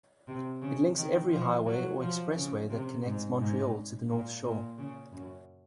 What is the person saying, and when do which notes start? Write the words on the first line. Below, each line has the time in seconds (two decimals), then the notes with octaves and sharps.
It links every highway or expressway that connects Montreal to the North Shore.
0.27 C3
0.62 C#3
0.97 D#3
1.31 F3
1.66 F#3
2.01 F3
2.35 C#3
2.70 C3
3.05 G#2
3.39 G#2
4.09 A#2
4.43 A#2
4.78 C#3
5.12 F#2